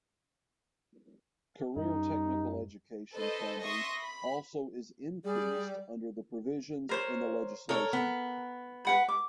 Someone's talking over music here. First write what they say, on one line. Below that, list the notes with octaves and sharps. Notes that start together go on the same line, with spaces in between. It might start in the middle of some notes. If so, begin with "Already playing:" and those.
Career technical education funding also is increased under the provisions in the legislation.
F#2 G3 D#4
A4 B4 C5 D#5
E5 C6 C#6 D#6 A#6
B5
G3 G#4 D5
A#4 C5 C#5
A4 A#4 C#5
B3
B4 F#5 B5
D6